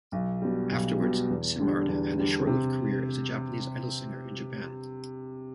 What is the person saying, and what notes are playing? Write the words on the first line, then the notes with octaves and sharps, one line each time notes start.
Afterwards, Simard had a short-lived career as a Japanese idol singer in Japan.
B1
B2 G3
B1
B2 G3
E2
D3 G3 D4
E2
D3 G3 D4
C3